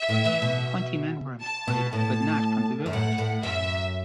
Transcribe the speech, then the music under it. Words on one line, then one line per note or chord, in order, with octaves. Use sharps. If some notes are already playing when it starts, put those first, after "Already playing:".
Twenty men were employed but not from the village.
Already playing: E5
A2
E3
B2
A5
B2
A2 A5
F#2
A2 F#5
A2
F#2 E5